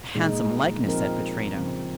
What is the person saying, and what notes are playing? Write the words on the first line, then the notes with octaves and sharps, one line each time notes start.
"A handsome likeness!" said Pittrino.
A#2 G#3 D#4
F3 C4 D#4 A#4
C#3 F3 C4